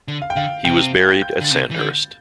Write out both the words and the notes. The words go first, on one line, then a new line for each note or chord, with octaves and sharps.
He was buried at Sandhurst.
D3
F5
G5
D3 F5
C3 G5
G6
D3 A6
C3 G6
E3
D3 G6